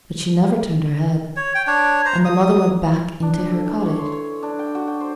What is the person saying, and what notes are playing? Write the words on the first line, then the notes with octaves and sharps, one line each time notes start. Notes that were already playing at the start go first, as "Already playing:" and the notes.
But she never turned her head; and the mother went back into her cottage.
C#5
G5
D4 C#5
C5 A#5
D#6
D4
A4
E3
C#5
C6
C#5
D4
G5
F#4
G5
C5